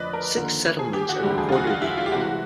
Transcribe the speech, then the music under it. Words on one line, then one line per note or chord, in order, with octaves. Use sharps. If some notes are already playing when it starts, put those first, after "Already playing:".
Six settlements are recorded in it.
Already playing: F2 D3 F3 A3 B4 D5 D#5
A#4
D#2 D3 F3
G#4
G4
F#4
E1 D2 D3 G3 G4
G#4
F4
F#4
F4
E4
F4
G4
C2 C3 E3 G#3 F#4